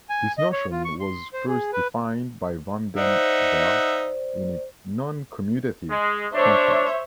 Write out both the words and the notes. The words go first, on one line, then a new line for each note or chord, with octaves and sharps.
This notion was first defined by Van den Bergh in a noncommutative context.
G#5
D#5
C#5
F4
C#6
C6
C5
G#4
B4
D#4 C5 D5 E5 F#5
G#3
D4 C5 C#5 E5